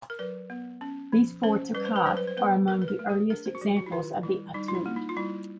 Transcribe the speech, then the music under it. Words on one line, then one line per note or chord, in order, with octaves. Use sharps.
These four "toccate" are among the earliest examples of the etude.
A#4
F#3 B4
B3
C#4
F3
C#4 C5
G3 B4
C5
B4
F#3 C5
B4
C5
B3 B4
F#3 A#4
B4
A#4
A3
G#4
D4 A#4
C5
F#4
F#3 G4
F#4
E4
D#3 F4
G3 E4
G3 D#4
F4
E4
A#3
D#4
F4
G3 E4